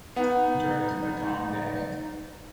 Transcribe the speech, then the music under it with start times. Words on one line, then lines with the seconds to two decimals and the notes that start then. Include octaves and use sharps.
Directed by Tom Dey.
0.16 B3 D#4 F#5